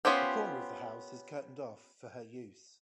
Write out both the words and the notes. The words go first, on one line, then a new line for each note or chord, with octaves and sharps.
A corner of the house is curtained off for her use.
B3 C#4 F4 G4 C5